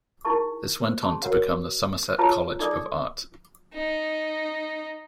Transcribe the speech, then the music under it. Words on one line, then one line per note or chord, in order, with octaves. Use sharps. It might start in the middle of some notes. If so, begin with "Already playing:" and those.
This went on to become the Somerset College of Art.
D#4 E4 G#4 A#4 A5 C#6
C5
C#4 G#4 A5 C6
F#4 A#4 B4 C#5 F#5
F4 G#4 B4 C#5 A5 A#5
D#4 G#4 A4 D5 D6 D#6
D#4